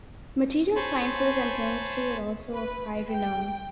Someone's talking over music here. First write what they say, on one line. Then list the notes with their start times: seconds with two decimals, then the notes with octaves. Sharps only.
Material sciences and chemistry are also of high renown.
0.76 C5 C#5 G#5 A5 B5 C6
2.52 B4
3.12 G5